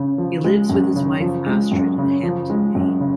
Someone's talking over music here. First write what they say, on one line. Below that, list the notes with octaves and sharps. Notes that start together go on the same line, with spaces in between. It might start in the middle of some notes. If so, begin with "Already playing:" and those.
He lives with his wife Astrid in Hampden, Maine.
Already playing: C#3
F3
G#3
F#2
C#3
F3
G#3
F#2
C#3
F3
G#3
F#2
C#3